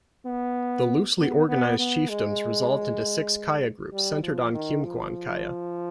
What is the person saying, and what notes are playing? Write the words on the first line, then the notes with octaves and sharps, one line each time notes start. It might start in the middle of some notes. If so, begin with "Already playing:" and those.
The loosely organized chiefdoms resolved into six Gaya groups, centered on Geumgwan Gaya.
B3
B3
B3
B3
G#3
G3
F3
D#3
F3